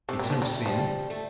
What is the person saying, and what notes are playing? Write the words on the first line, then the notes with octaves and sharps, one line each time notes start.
It's no sin.
C3 A3
A#2 G3
F3
C3 G3
A3
F3 G3
A3